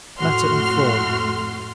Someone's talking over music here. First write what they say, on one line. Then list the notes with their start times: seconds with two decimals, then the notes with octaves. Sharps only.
Matter and Form.
0.20 F2 A2 A3 F#4 C6 F6